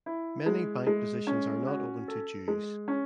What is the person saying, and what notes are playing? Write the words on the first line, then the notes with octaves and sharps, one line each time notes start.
Many bank positions are not open to Jews.
E4
G#3
G#3
C#4
F#4
A4
G#3
C#4